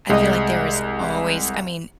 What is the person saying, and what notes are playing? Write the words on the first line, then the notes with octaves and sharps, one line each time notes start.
I feel like there is always I mean,
C2 G#3 G#4 D#5